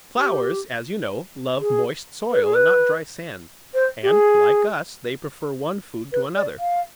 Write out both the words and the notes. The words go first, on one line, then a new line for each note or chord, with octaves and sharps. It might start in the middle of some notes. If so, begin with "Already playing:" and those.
Flowers, as you know, love moist soil, and not dry sand; and, like us, they prefer one food to another.
G4
G#4
B4
G#4
B4
C5
G4
G#4
B4
D5
F5